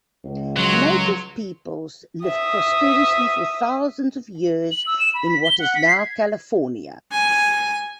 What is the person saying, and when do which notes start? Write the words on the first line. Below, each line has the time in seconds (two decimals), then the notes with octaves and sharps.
Native peoples lived prosperously for thousands of years in what is now California.
0.24 C#2
0.56 F#3 C6
2.25 E5 D#6
4.71 F#7
4.86 E6
4.99 E7
5.14 B5
5.29 B6
5.44 G7
5.59 F#5
5.75 B6
5.87 C7
5.98 G#6
7.12 G#5